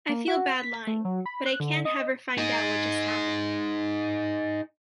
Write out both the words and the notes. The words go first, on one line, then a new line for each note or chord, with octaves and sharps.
I feel bad lying, but I can't have her find out what just happened.
A#3
F#4
B6
A3
F#3
B5
F#6
D3
D#5
D#4 G#4